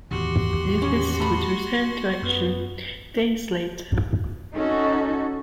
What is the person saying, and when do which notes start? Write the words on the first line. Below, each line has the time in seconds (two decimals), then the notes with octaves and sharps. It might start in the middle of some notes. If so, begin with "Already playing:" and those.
Dupuis would return to action days later.
0.11 E2 A2 D#3 F#4 G4 C6
0.82 C#4
1.20 A3 B5
2.23 F#2 B3
4.53 C#4 D#4 F#4 A4